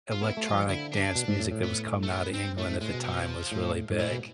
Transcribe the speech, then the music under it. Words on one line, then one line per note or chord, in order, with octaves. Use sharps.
electronic dance music that was coming outta England at the time was really big.
F4
B3 E4
A3
F4
F3
D3 E4
D4
B2
G#2
A2
A2
B3
A3
B3
C4
A2 A3
G#2
A2 G#3
B2
F3
A2
G#2
A2 E3
B2